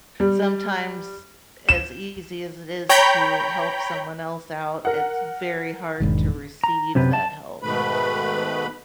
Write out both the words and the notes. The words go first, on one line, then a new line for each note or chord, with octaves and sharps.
Sometimes, eh, as easy as it is to help someone else out, it's very hard to receive that help.
G3
E7
C#5 G5 A#5 B5 G6
A#4 F#5
E1 G#2 D#3
A#5
F#2 C3 G4 B4
A5
G#2 B2 D#3 A3 B4 B5